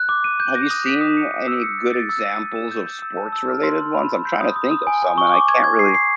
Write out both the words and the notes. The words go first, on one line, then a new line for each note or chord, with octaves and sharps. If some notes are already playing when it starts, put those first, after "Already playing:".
Have you seen any good examples of sports related ones? I'm tryna think of some, and I can't really
Already playing: F#6
D6
D#7
G6
A#6
D#6
B6
D#6
C#7
C#7
E6
C#7
A6
A6
E6
D#7
E6
E7
G6
G6
E6
A5
E6
F6
C6
C6
B5
B5
G6
D#6
D#6
D#6
G#5
G#5
C#6
D6
G#6
G#6
C7
C7